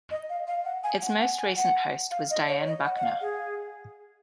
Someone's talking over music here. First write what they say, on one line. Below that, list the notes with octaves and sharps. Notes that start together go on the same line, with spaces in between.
Its most recent host was Dianne Buckner.
D#5
F5
F5
F#5
G#5
F#5
F#5
G#5
F#5
F5
D#5
C#5
D#5
F#5
F#5
F5
G#4